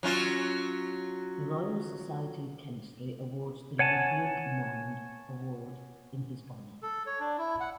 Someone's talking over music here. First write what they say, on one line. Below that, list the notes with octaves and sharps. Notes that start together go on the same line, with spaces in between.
The Royal Society of Chemistry awards the Ludwig Mond Award in his honour.
F#3 C#4 F4
C#5 F#5 G#5 A5
A4
C#5
D4
E4
F#5